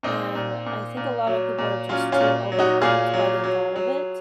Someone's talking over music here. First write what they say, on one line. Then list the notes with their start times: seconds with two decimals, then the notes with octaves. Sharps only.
and I think a lotta people are just too overwhelmed by the thought of it,
0.03 A#2 C4 D#4
0.35 A#2
0.66 A#2
0.97 A#2
1.27 F#3
1.58 A#2
1.89 F#3 C#4 F4
2.12 C#4 F4
2.20 A#2
2.52 F#3
2.59 D#4 F#4
2.82 A#2 F4 G#4
3.14 F#3
3.44 F#3
3.76 F#3